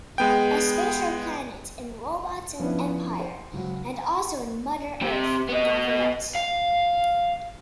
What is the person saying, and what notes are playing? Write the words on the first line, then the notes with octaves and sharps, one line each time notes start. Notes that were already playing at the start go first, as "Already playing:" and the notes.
A Spacer planet in "Robots and Empire" and also in "Mother Earth" novelette.
G#3 B3 G5
F3 B3 C#4 D4 E4 B4
C5
C#2 F#3
C4 G4
B3 D#5
F5